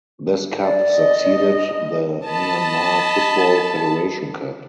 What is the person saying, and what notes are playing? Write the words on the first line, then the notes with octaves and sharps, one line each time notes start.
This cup succeeded the Myanmar Football Federation Cup.
D5
D#5
D#5 A5 B5